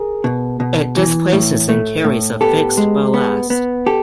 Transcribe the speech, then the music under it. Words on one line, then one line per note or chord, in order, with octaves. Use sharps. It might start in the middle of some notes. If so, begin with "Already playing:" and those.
It displaces and carries of fixed ballast.
Already playing: G#4 A#4
B2
B2
E3
A2
A3
A2
B3 G4 A4
G#3
B3
B3
G4 A4